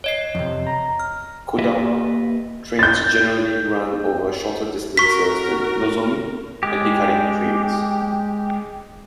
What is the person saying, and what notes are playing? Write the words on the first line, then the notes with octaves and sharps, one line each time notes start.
"Kodama" trains generally run over shorter distances than "Nozomi" and "Hikari" trains.
C#5 D#5 C7
F2 C3
A#5
F6
A#3 G4 A4 B4 D#5 E5
G6 A6
F#4 A#4 C#6 B6
G#3 G4